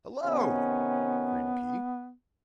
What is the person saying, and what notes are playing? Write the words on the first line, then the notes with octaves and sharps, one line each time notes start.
"Hello!" greeted he.
C3 D#3 B3 C#4